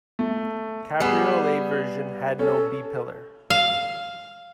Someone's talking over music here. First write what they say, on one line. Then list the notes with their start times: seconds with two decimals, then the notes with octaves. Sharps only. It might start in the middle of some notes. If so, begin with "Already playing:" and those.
Cabriolet version had no B-pillar.
0.19 A3
1.00 G3 B3 G#4 C7 E7
2.39 C#4 A4
3.50 F5